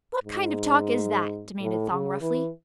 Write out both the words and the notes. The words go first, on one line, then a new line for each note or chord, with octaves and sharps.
"What kind of talk is that?" demanded Thong roughly.
G#2
A2
C#3
E3